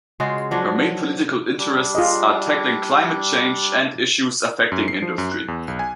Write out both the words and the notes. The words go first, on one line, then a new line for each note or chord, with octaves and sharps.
Her main political interests are tackling climate change and issues affecting industry.
C#3 G#3 F4 F#4
F3 F#3 D4
G3 D4
F4 G#4 D#5
F#2
C7
F3
F#2
F#6
E2
B1
G#5